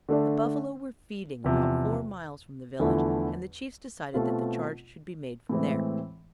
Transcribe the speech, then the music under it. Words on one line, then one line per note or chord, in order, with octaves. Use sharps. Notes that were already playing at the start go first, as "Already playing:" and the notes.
The buffalo were feeding about four miles from the village, and the chiefs decided that the charge should be made from there.
D3 A3 D4
E2 C3 F3
E2 D3 F3 A3 E4
B2 A3 C4 F4
A2 E3 G#3 C4